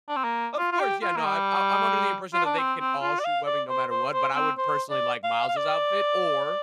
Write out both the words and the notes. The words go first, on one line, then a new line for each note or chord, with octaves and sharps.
Of course, yeah, no, I I I'm under the impression that they can all shoot webbing no matter what, but I would personally like Miles' outfit, or,
D4
C4
A#3
F4
F4
G4
F4
A#3
G3
F4
D4
C4
C4
F4
D5
F5
D5
C5
C5
C5
C4
C5
D5
F5
F5
D5